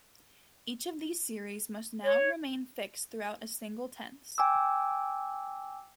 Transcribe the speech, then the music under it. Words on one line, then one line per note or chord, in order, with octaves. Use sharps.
Each of these series must now remain fixed throughout a single tense.
C#5
G5 G#5 D6 E6